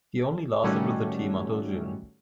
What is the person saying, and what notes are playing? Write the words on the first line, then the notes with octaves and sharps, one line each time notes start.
He only lasted with the team until June.
A2 D#3 G3 A3 C#4 F#4